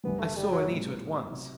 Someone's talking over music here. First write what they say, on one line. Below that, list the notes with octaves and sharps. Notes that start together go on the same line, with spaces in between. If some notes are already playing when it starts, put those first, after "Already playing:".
I saw Anita at once.
F#1 F#2 D3 G3 B3
A3
G3
F#3
A2 G3 B3
C3 F#3